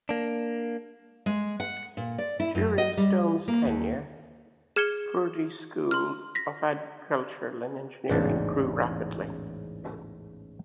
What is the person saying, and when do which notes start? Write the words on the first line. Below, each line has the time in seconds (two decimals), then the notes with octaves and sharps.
During Stone's tenure, Purdue's schools of agriculture and engineering grew rapidly.
0.09 A#3 D4
1.26 G#3
1.60 F#5
1.97 A#2
2.18 D5
2.40 E4
2.55 F#2
2.78 D#5
2.97 G3
3.48 A#3
3.65 D#2
4.76 G#4 F6 G#6 C#7 E7 G7
5.91 C6 F6
6.35 A#6 B6
8.10 A1 E2 G#2 C#3 D4 A5